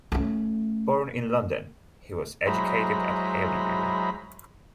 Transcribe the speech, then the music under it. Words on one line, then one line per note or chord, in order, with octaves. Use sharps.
Born in London, he was educated at Haileybury.
A3 C#4
F#3 G#3 E4 C5 A#5 B5